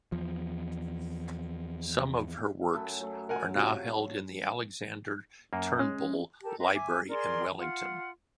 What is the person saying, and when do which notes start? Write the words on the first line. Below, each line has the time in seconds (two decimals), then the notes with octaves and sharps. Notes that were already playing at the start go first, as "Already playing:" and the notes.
Some of her works are now held in the Alexander Turnbull Library in Wellington.
0.12 E2 F3
2.73 F#2 A3 B5
3.00 F#3 A3
3.29 A#4 F#5 G#5
3.55 C3 F4 F#4
5.53 F#2 A#3
5.79 G#3 C#4
6.43 G4 A4 A#4 A5
6.58 B4 D#5 A#5 C6
6.73 E5 G#5 D6
7.08 G#4 A#4 D5 C6
7.57 F4 F#5